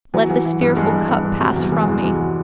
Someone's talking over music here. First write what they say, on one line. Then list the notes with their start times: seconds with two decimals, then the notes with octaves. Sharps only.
Let this fearful cup pass from me!
0.14 E3 F#3
0.29 E3 F#3
0.45 E3 F#3
0.61 G2 G3
0.76 G2 G#3
0.93 G2 G#3
1.09 G2
1.25 G2
1.40 C3 F#3
1.51 F#3
1.56 E2 G3
1.72 E3 G#3
1.88 E2 G#3
2.04 E2 F#3
2.20 F#3